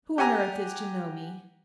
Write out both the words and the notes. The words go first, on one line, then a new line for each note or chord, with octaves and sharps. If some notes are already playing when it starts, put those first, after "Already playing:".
Who on earth is to know me?'
G4 F#5 G#5 A#5